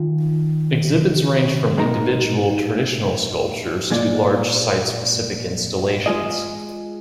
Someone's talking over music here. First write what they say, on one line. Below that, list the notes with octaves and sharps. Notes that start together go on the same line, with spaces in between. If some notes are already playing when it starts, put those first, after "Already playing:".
Exhibits range from individual, traditional sculptures to large site-specific installations.
Already playing: D#3 F4
A#2 G#3 D#4 A#4
A#2 G#3 F4
G#3 F4 G#4 D#5